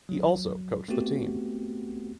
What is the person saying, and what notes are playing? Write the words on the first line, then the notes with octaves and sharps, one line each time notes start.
He also coached the team.
F#3
A3 B3 C4 F#4 G4